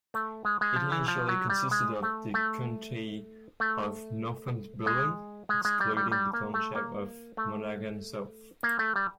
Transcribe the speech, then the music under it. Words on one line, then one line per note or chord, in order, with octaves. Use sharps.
It initially consisted of the county of Northumberland, excluding the township of Monaghan South.
A3
G#3
G#3
F3
E3
F3
F#3
G3
G#3
A3
A3
A3
G#3
G#3
G#3
G3
G3
G3
A#3
A3
A#3
A3
A#3
A3
G3